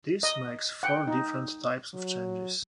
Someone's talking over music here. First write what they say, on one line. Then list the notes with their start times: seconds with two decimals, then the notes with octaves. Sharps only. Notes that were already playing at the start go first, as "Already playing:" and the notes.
This makes four different types of changes.
0.23 D#5
0.83 F#5 G5
1.07 D#4
1.94 F#3